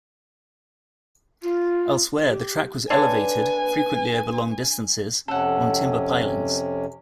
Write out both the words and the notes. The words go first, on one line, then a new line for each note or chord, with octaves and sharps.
Elsewhere, the track was elevated - frequently over long distances - on timber pilings.
F4
G4
D3 D4 B4 C#5 G#5
F2 C3 C#4 A4 F#5